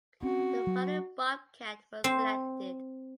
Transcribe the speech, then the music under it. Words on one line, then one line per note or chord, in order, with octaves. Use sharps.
The following Bobcat was selected.
C4 C#4 F#4
F#3
C4